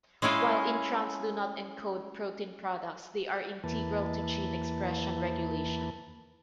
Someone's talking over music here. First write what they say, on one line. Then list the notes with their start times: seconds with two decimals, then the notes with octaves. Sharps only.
While introns do not encode protein products, they are integral to gene expression regulation.
0.22 G#3 C#4 E4 F4
3.64 E2 E3 A#3 B4 A5